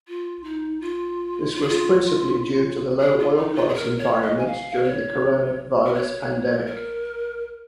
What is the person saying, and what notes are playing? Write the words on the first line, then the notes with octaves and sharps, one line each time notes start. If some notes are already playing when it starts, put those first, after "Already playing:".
This was principally due to the low oil price environment during the coronavirus pandemic.
F4
D#4
F4
F4
G#4
F4
G#4
F4
D#4
F4
G#4
A#4
C#5
D#5
G#5
F5
A#4
C#5
A#4
C#5
A#4